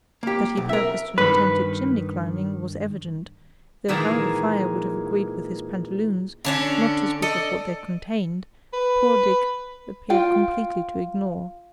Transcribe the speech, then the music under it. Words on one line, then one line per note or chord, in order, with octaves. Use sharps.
That he purposed an attempt at chimney-climbing was evident, though how the fire would have agreed with his pantaloons, not to speak of what they contained, poor Dick appeared completely to ignore.
A#3 G4
B1
A#4 E5
G2 D#3 B4
A#2 D#3 E3 G#3 A5 A#5
D3 C#4 D4
A4 D5 D#5
B4
F4 G5